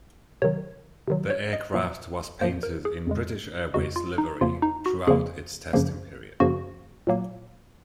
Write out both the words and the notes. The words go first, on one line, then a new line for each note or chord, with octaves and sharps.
The aircraft was painted in British Airways livery throughout its testing period.
C3 D#3 F#3 C#5
C3 D#3 F#3
C#5
D#5
A#2 F3 A#3
A#2 F3 A#3 C5
A#4
G#4
F2 C#3 G#3
F2 C#3 G#3 F#4
F4
D#4
F2 C#3 F3 A#3 F4
D#4
F#4
F2 C#3 F3 A#3 G#4
F#2 C#3 F3 A#3
F#2 C#3 F3 A#3 F#4
A#2 F#3 A#3